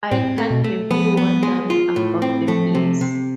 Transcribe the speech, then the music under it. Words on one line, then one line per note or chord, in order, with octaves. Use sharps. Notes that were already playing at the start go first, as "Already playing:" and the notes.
I can't have you wandering about the place.
A2 C4
A3
B2
A3
F3 B3
B3
G#3
F4
A2
C4
F3 A3
C3
C3